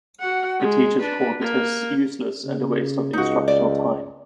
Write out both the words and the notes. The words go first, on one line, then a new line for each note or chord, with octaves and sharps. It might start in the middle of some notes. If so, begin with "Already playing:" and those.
The teachers called the tests useless and a waste of instructional time.
F#4 F#5
G#3
D4 B4
A#3
C#3
C#2 D#4 F#4
D5